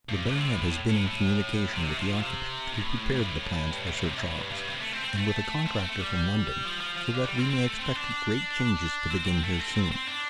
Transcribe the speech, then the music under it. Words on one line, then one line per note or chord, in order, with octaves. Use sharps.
The baronet has been in communication with the architect who prepared the plans for Sir Charles, and with a contractor from London, so that we may expect great changes to begin here soon.
G2
A2
C3
A2
A2
A2
A2
C3
F3
C3
A2
G2
A2
G2
A2
C3
A2
G2
G2
C3
A3
C4
C4
A3
C4
A3
G3
F3
F3
F3
D3
G3
C4
C4
A3
C4
D4
C4
C4
A3
C4
C4
C4
D4